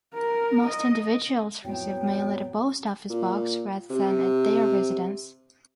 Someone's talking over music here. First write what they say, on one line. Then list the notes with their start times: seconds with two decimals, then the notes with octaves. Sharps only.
Most individuals receive mail at a post office box rather than at their residence.
0.14 A#4
0.67 D#5
1.64 F2 A2 F#3 B3 G5
3.10 A#2
3.90 C3